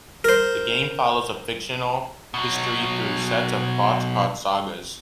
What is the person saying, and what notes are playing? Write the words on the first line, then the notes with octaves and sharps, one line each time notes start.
The game follows a fictional history through sets of plots called "Sagas".
A#4 C5
B2 F#3